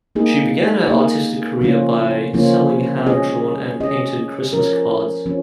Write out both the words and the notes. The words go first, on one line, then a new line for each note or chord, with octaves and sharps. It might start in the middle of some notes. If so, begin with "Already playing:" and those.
She began her artistic career by selling hand-drawn and painted Christmas cards.
A#3 D#4 G#4
A#3 D#4 G#4
C#3 F3 A#3 C#4 F4
C#3 F3 A#3 C#4 F4
C#4 G#4 D#5
C#4 G#4 D#5
F3 C#4 A#4
F3 C#4